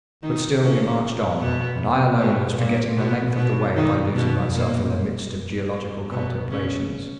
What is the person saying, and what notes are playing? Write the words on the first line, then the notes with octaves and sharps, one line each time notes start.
But still we marched on, and I alone was forgetting the length of the way by losing myself in the midst of geological contemplations.
D#3 D#4
C#3 C#4
B2 B3
B2 B3
A#2 A#3
B2 B3
B2 B3
D#3 D#4
B2 B3
A#2 A#3
B2 B3
C#3 C#4